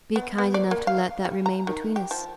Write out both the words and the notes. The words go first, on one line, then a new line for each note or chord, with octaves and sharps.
Be kind enough to let that remain between us.
B3
B3
D5
A#3
F5
G3
A#5
D#3
G4
F3